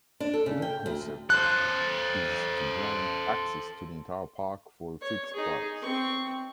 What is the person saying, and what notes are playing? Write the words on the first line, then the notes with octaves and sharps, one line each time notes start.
The new concept is to grant access to the entire park for a fixed price.
D4
A4
C#3
G5
D2
A4 C5 F#6
C#5
D#4 G#4
C4 C#6